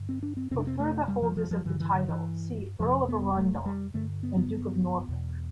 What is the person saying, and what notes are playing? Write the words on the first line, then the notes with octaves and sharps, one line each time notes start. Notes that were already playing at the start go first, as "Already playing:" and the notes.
For further holders of the title see Earl of Arundel and Duke of Norfolk.
Already playing: G2 D3
C4
D4
C4
F2 C3 C4 D4
C4
A3
G3
F3
F3
F3
G2 D3 E3
E3
D3
E3
F2 C3 F3
B3
A3
G3
G2 D3 A3
B3
B3
E2 B2